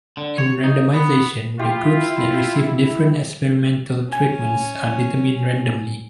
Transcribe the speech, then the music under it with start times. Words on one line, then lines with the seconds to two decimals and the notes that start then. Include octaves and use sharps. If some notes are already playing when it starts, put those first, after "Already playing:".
In randomization, the groups that receive different experimental treatments are determined randomly.
0.17 D3
0.38 C#5
0.64 D#4
0.93 B3
1.59 E4 F4 G4
4.12 C#4 G#5